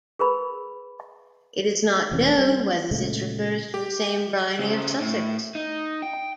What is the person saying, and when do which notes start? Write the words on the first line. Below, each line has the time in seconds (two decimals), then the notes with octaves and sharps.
It is not known whether this refers to the same Bryni of Sussex.
0.19 G#4 A#4 B4 B5
2.11 E1 C3 E3 C#4
2.39 G3
2.91 A#2 C#3 G#3 A3
3.74 G4
4.59 C#3 C4
5.01 A2
5.55 D#4
6.02 G5